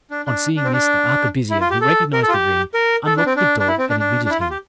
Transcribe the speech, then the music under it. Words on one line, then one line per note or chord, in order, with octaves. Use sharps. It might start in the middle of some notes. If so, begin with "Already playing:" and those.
On seeing this, the arquebusier, who recognised the ring, unlocked the door, and admitted him.
D4
D4
D4
C4
D4
E4
F4
G4
A4
A#4
A4
F4
G4
A#4
A4
D4
C4
D4
D4
E4
C4
D4
D4
D4
E4
F4
G4